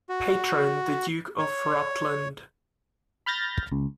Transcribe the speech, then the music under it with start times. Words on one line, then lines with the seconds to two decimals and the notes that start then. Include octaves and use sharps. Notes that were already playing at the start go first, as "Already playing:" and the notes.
Patron, the Duke of Rutland.
0.09 F#4
1.39 C#5
3.26 B5 F6 G6 A6 A#6
3.72 C#2